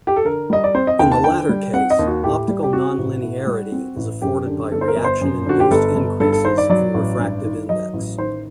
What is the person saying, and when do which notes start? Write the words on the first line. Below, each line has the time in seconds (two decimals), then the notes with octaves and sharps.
In the latter case, optical nonlinearity is afforded by reaction-induced increases in refractive index.
0.07 G4
0.16 A4
0.25 D3 A#4
0.50 G3 D#5
0.64 D5
0.74 C4 C5
0.87 D#5
0.99 D#2 G5
1.12 A5
1.24 D3 G5
1.49 G3
1.73 C4 F#5
1.90 D#5
1.99 D#2
2.07 F#4
2.24 A2 G4
2.48 G3
2.63 G4
2.73 C4 F#4
2.98 A1
3.22 A2
3.47 G3
3.72 C4
3.96 A1
4.22 F#2 G4
4.47 D3
4.72 G1 A4
4.81 C5
4.88 A#4
4.96 G1
5.04 C5
5.21 F#2
5.46 D3 F#4
5.60 G4
5.71 G1 A4
5.95 G1
6.20 G2 A4
6.32 A4
6.45 D#3 C5
6.58 D5
6.70 F#3 D5
6.94 A1
7.19 G2
7.44 D#3
7.69 F#3 D#5
7.93 A1
8.18 D#3 C5